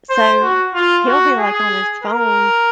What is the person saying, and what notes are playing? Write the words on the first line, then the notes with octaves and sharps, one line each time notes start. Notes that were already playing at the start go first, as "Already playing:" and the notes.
So, he'll be, like, on his phone
C5
F#4
F4
F#4
G#4
A#4